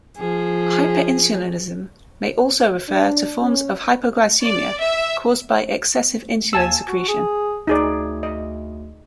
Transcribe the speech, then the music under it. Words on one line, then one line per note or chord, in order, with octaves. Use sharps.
Hyperinsulinism may also refer to forms of hypoglycemia caused by excessive insulin secretion.
F3 G#4
D4
C#4
D5
E5
D#2 G#5 A5 E6
F#4
G#4
D2 D#4 G#4 D5
D#5